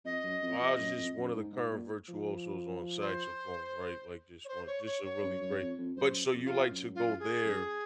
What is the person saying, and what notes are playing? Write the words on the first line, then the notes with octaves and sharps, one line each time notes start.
Kamasi's just one of the current virtuosos on saxophone, right? Like just one just a really great but so you like to go there
F2 D#5
F#2
F2
F2
F#2
F2
F#2
G#2
G#2
A#2
F3
C5
C#5
C5
C#5
C#5
C#5
F#2
F#2
F2
F2
F#2 C5
F2
F4
F#2
F4
G#4
F#2